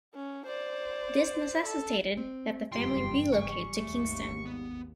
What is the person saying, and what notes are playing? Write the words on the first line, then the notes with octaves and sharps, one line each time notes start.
This necessitated that the family relocate to Kingston.
C#4
C5 D5
A4
C4
F#1 E2 G2 F4 G4 G5 C6
G3 G#4 C#6
G#1 D#2 A3
B3